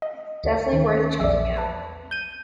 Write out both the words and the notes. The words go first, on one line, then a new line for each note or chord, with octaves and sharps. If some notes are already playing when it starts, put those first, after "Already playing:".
Definitely worth checking out.
D#5
D2
D#3 C#4
A#1 E2 D5 E5
B4 A5
G6 D#7